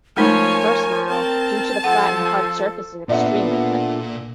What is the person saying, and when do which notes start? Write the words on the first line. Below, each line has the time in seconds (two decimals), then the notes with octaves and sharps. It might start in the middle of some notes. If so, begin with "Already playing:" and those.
The first mile, due to the flat and hard surface is extremely quick.
0.17 F3 G#3 A3 D#4 A#4 C#5 G#5
1.09 C4 A#4 A5
1.84 F3 A4 F#5
3.09 A#2 B3 D4 F4 A4 D5 E5 F#5